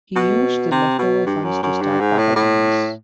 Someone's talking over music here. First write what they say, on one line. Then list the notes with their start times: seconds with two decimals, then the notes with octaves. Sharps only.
He used the leftover funds to start Papa John's.
0.16 B2
0.72 C3
0.99 B2
1.26 G2
1.44 F#2
1.63 F#2
1.81 G2
2.00 G#2
2.18 A2
2.36 A2